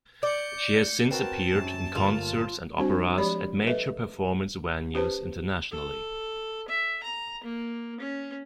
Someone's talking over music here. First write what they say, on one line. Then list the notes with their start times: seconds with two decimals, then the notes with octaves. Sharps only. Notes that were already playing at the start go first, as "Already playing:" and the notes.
She has since appeared in concerts and operas at major performance venues internationally.
0.23 D5 G6 C#7
1.11 C4 F#4 A#4 B4 A5
1.55 F#2
1.95 G1 A#3 F4 F7
2.77 G3 C4 D4 F#4 C5
3.18 F3 G#3 G4 C#5 D5 B5
3.67 A4 B4 D#5 E5
4.94 C#4 G4 B4 C5 A5
5.71 A4
6.68 E5
7.03 A#5
7.44 A#3
8.00 C#4